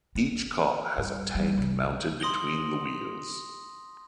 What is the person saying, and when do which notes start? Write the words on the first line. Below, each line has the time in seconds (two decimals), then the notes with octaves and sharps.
Each car has a tank mounted between the wheels.
0.15 C4
0.98 G2
1.35 G3
1.58 C2
2.20 C6 D#6 A#6 F#7 G7